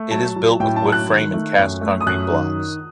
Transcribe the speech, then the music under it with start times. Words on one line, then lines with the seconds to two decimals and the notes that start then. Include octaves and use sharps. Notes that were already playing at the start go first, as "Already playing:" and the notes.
It is built with wood frame and cast concrete blocks.
Already playing: A3
0.11 F#3 A5
0.36 F#3
0.60 A2 G5
0.76 A5
0.84 F#3
0.92 F#6
1.09 D#3
1.34 A3
1.58 F#2
1.81 A3
2.01 D#6
2.07 F#2 F#6
2.30 D#3